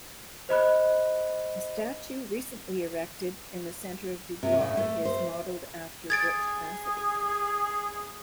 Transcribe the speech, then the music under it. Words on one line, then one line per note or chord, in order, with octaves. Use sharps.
A statue recently erected in the center of Dubois is modeled after Butch Cassidy.
C5 D#5 B5 F#6
C3
A2
A3
C5
G#4 G#6 A6 D7